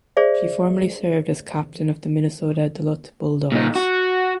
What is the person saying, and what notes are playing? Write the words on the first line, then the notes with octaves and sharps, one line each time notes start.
She formerly served as captain of the Minnesota Duluth Bulldogs.
G#4 C5 D5 E5
A#2 D#4
F#4